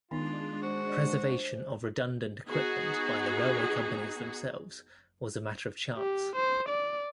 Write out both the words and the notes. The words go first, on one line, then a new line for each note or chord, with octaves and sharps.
Preservation of redundant equipment by the railway companies themselves was a matter of chance.
D#3 G#3 B3 D4 D#4 F4
F#4 C5
B3 D#4 F#4 G#4
G4
C5
D5